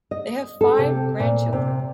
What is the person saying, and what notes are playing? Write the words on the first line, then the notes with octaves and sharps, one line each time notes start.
They have five grandchildren.
D#5
A4
C3
A#2
C3